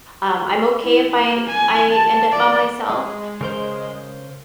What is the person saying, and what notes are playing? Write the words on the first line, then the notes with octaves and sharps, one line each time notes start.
Um, I'm okay if I I end up by myself,
E4
A#3
G#5
A5
D5
G#3
C#3 A#4 C5